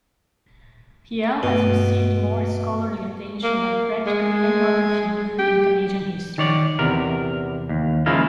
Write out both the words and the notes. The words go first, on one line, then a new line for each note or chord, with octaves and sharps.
Riel has received more scholarly attention than practically any other figure in Canadian history.
G2 B2 A3 F#4
A#3
G#3
G4
D#3 C#5 D5
E2 C3 A#4
D#2
C#3 F3 G#3 A#3 E4 F4